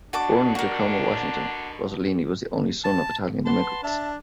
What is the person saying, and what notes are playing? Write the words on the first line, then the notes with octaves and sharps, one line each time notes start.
Born in Tacoma, Washington, Rosellini was the only son of Italian immigrants.
B2 D3 D4 F#4 A5 D6
F#4 A#4
A5
B4 F#5 A5 C6
D4 E5 A5